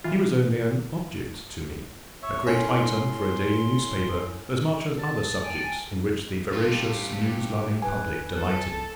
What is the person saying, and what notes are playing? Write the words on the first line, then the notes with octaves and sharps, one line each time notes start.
He was only an object to me--a great item for a daily newspaper, as much as other subjects in which the voracious news-loving public delight in.
E3 F4
C#5 E5
A2 C#4 C6
A5
G5 G#5
G2 F4 G4
B4 G#5
A4